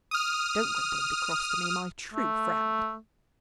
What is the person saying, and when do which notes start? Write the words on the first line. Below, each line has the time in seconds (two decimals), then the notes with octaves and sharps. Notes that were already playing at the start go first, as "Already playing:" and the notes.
Don't grumble and be cross to me, my true friend.
0.11 D#6 F6
2.14 A3